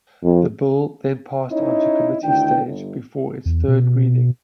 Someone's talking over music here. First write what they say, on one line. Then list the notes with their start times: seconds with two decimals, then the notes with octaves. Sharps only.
The Bill then passed on to Committee Stage before its third reading.
0.23 F2
1.51 C#4 D#4 E4 C#5 D#5
2.23 D2 D#3 D4 E4 G5
2.65 G1
3.46 E2
3.68 B2